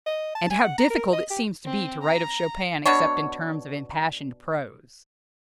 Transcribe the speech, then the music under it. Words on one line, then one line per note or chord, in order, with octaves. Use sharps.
And how difficult it seems to be to write of Chopin except in terms of impassioned prose!
D#5
A5
G#5
F#5
A#5
A#4
D#5
G4
C4
A#5
B2 B3 D4 C#5